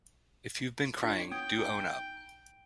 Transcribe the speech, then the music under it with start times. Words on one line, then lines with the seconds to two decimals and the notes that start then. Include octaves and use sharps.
If you’ve been crying do own up.
1.02 D4 F4 C#5 G5
1.31 B3 G5 D#6 G#6
1.58 D#4 G#5